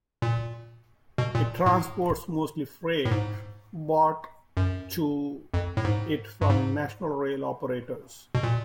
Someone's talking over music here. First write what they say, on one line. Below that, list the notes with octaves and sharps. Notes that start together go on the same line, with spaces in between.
It transports mostly freight brought to it from national rail operators.
A#2
B2
A#2
A2
A2
G#2
F#2
F2
A2
G#2
G2
G#2
B2
A#2